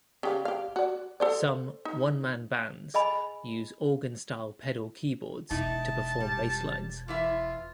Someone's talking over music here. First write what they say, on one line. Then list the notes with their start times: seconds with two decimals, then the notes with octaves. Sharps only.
Some "one-man bands" use organ-style pedal keyboards to perform basslines.
0.23 C#3 G4 F5
0.45 G4 F5
0.76 F#4 D5
1.20 A4 C5 D5
1.85 D#4
2.94 G#4 D#5 G#5 B5
5.51 E1 D#4 E4 A5
6.20 G3
7.08 E3 E4 F4 E5